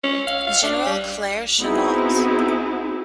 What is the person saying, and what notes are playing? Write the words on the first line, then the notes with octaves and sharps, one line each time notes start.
General Claire Chennault.
C#4
F5
F5
D4
G3
B3 C4 D#4 E4 F#4 G#4